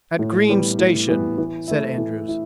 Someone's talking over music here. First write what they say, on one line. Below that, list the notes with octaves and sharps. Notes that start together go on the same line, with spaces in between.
"At Green's Station," said Andrews.
A2
E3 G3 B3
A2
E3 G3 B3
E3
A3 E4
E3
E4